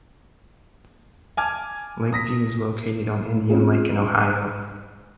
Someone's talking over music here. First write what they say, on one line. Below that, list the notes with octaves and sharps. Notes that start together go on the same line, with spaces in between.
Lakeview is located on Indian Lake in Ohio.
G#5 A5 D6 F6 G#6
D#6 A#6 B6
C4 C#4 F4 G#4